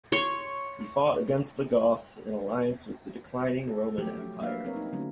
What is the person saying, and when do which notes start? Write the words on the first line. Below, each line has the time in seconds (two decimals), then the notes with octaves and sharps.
He fought against the Goths in alliance with the declining Roman Empire.
0.12 C#5 C6
3.68 A4
3.98 F3 F#3 A3 F#4 G4
4.41 F#3 A#3 D4 B4 E5 F5
4.65 C4 A#4 C#5
4.76 D#4
4.92 D3 F#3 A3 C#4